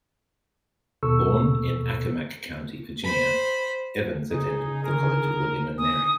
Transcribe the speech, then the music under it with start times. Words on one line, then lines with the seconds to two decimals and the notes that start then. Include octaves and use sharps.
Born in Accomack County, Virginia, Evans attended the College of William and Mary.
1.03 D#2 B2 A4 C#6 E6
3.04 C5 B5
4.31 C#3 D#4 G#4
4.84 D3 D#3 A#4
5.78 G#5 D#6